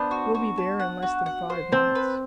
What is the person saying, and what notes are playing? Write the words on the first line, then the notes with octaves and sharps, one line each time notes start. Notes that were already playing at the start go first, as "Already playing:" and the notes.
"We'll be there in less than five minutes."
Already playing: B3 D4 C5
F#4
F#4
A5
F#5
F#4
F#5
C5
C4 A5
B4